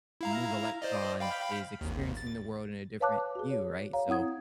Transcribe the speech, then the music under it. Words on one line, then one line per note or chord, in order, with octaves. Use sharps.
can move electrons is experiencing the world in a different view, right, so,
E4 F5 A#5
C5 D5 D#5
F5 G5 B5
G#1 D#2
A6
B4 C#5 F5 A5 D6 F#6
F#4 G#4
C#5
C#5 F5 A#5
C4 E4 F#5 D#6 G#6